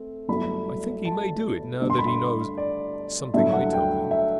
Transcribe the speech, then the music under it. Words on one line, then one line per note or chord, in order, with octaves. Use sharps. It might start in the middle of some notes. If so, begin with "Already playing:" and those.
I think he may do it, now that he knows--something I told him.
Already playing: A3 C4
G1 G2 F#3 A3 E4 B5
A5
G2 D3 A3
C6
B5
C6
D5
G2 D3 F#3 A3 E4 E5
F#5
G5
E5